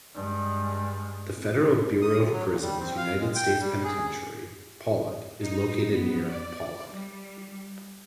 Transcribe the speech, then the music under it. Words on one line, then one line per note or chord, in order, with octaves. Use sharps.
The Federal Bureau of Prisons United States Penitentiary, Pollock is located near Pollock.
G2 G#3
D#6
D2
F#3
A#2
G3
C4
F5
G#3
G5
G3
G#4
D#4
B3
D5
G3